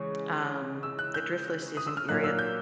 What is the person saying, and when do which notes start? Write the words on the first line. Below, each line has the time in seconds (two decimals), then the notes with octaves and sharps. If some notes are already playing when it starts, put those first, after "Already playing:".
um, the Driftless is an area
Already playing: C#3 E3 G#3 C#4 C#6
0.83 E6
0.99 F#6
1.14 G6
1.77 D#6
1.87 E6
1.97 F6
2.08 A#2 F#3 A#3 D#4 F#6
2.24 E6
2.39 G6